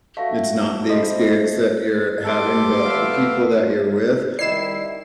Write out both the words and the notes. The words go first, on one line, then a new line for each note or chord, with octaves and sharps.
"It's not the experience that you're having, but the people that you're with."
A3 F#4 E5 F5
C4 A4 C5 D#5 B5
B3 G4 A4 C6 D6
A3 E5 F5
D#3 G3 E4 D5 D#5 C7 E7